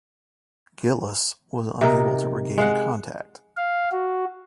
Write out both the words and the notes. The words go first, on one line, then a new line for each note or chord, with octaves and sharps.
"Gillis" was unable to regain contact.
C3 D#4 A#4
G#3 F5 F#5
F5
F#4